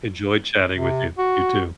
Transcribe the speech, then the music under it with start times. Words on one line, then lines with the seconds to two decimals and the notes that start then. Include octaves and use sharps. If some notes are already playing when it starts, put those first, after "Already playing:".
Enjoy chatting with you. You too.
0.74 C3
1.18 F#4